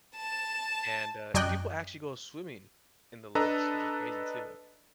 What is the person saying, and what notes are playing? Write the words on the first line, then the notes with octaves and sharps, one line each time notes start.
and, uh, people actually go swimming in the lakes, which is crazy too.
A5 E7
F#2 D5 D#5 G5 F#6
D4 A4 B4 D#5 A#5